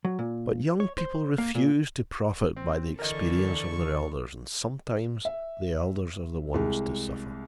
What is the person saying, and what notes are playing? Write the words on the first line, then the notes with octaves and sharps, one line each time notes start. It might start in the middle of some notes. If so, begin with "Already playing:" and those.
But young people refuse to profit by the experience of their elders, and sometimes the elders are the ones to suffer.
F#3
A#2
C#5
C5
A#3
A#2
C4
D3 E3 A4 A#4 D5 D#5 C#6
E5
C2 G#3